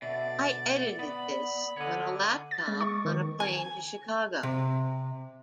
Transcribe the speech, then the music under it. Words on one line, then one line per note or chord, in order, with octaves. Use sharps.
I edited this on a laptop on a plane to Chicago.
B2 D3 D5 E5
B3 D5 B5
D3 C#5 D#5
A6
G#3
C#6
D#3
G#5
C3